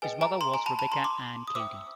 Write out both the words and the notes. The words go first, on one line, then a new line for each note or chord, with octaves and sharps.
His mother was Rebecca Anne Cady.
G#4 B4 D#5 G5 G#5
G#5 A#5
A#5 C6
G#5 A#5
A5 B5
A5 B5
A#5 C6
C6 D6
D#6
C5 E5 G5 D6 E6